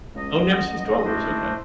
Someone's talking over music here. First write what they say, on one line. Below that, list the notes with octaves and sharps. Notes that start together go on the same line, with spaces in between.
Oh, never seen Star Wars, okay.
C#2 D#5
F#5 C6
A3 D4 E4 C5